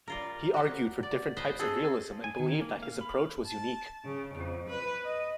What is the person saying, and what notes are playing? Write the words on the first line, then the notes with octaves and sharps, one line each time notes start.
He argued for different types of realism and believed that his approach was unique.
G3 F4 A#4
F#4 G4
D5
B4 C5 D#5
C4 G#4 A4
G#5
D#3
A#3
F5
B5
A5
C#3
F2
B4
D#5